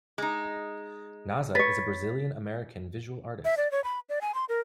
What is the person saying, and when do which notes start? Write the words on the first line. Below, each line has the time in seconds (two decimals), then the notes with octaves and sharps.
Naza is a Brazilian American Visual Artist.
0.18 G#3 D#4
1.55 B4 C#5 A6 B6
3.45 E5
3.57 D5
3.72 C#5
3.84 B5
4.09 D5
4.21 G#5
4.34 C6
4.49 A#4